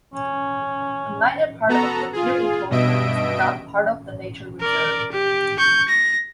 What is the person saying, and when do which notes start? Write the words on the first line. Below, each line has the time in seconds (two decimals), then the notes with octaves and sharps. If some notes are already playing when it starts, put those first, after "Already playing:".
A minor part of the deer enclosure is not part of the nature reserve.
0.14 C#4
1.69 B3 F#4 A4 A#5
2.13 F4 G#4
2.70 G2 B2 D#5 E5 D7
4.61 A#4 D5
5.12 G4
5.59 C#6 G6
5.88 A#6